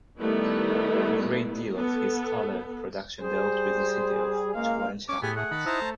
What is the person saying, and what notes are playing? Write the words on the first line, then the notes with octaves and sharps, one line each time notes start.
A great deal of his scholar production dealt with the city of Cuenca.
D#3 G3 A3 B3 E4
B3 A4
G3 G#4 C5
C#2 G#3 A#3 F5
C#4 D6
A2 B3 G4 G#4 G#5
A3 G#4 F#5
D#3 A5 B5
D#4 E4 C5 A5 A#5
A3